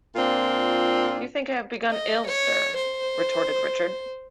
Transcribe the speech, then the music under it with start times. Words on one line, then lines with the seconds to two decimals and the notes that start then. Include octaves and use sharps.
"You think I have begun ill, sir," retorted Richard.
0.15 A#2 C4 D4 F4
1.90 D#5
2.26 C#5
2.76 C5